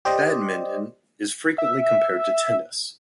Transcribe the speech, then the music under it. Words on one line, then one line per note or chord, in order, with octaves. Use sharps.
Badminton is frequently compared to tennis.
G4 C5 D5 D#5
E5